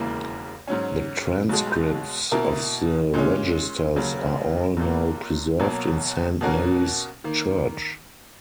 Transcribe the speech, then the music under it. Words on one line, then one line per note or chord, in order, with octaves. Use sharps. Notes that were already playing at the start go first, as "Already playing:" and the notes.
The transcripts of the registers are all now preserved in Saint Mary's church.
Already playing: E1 D#2 C#3 E3 A#3
G#2 F#3 C#4
B1 B2 G#3
B2 A#3 E4 A#4
A#2 G#3 C#4
D#2 C#3 F#3
B1 A#2 A#3
B1 B2 F#3 A#3
B2 A#3 C#4 F#4 A#4
D#3 A#3